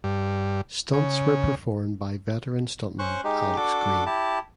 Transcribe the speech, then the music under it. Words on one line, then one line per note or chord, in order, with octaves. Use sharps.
Stunts were performed by veteran stuntman Alex Green.
G2
C#3
C#4 C5 C#6 F#6
G#3 D#4 G4
D4 F#4 A4 D6
E4 G4 A5